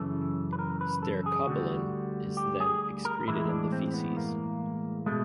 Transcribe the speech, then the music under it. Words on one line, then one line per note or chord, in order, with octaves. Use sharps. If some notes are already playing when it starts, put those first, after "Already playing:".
Stercobilin is then excreted in the feces.
Already playing: F#2 C#3 E3 A4
B4
A#4
B4
A4
G#4
D2 D3 G3 F#4
G4
G#4
A#4
A2 E3 G#3 E4
D4
C4
B3
A#3
B2 G#3 A3